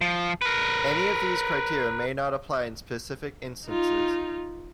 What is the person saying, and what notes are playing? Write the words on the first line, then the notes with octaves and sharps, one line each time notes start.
Any of these criteria may not apply in specific instances.
F3
A#4 B4
D#4 F4